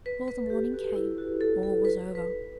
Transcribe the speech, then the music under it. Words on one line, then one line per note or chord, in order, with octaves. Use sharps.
Before the morning came all was over.
B4
B4
A4
G4
F#4
E4
F#4
A4
A4
B4
B4